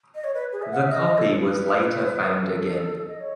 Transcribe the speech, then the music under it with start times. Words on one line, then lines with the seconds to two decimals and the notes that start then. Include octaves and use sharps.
The copy was later found again.
0.15 D#5
0.24 C#5
0.34 B4
0.53 G#4
0.62 E5
0.72 F#5
0.82 E5
0.91 D#5
1.18 A4
1.29 C#5
1.33 B4
2.43 A4
3.08 D#5
3.20 C#5